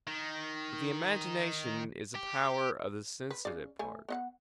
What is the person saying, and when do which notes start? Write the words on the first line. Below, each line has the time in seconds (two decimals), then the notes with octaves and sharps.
But the imagination is a power of the sensitive part.
0.07 D#3
2.15 G4
3.31 B4
3.45 C#3 D5
3.79 A3 G#5
4.09 B3 D#5 F#5